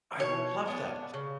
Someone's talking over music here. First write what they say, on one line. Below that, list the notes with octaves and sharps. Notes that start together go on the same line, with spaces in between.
I love that!
B2 C#5
G#3 B3 D4
C#3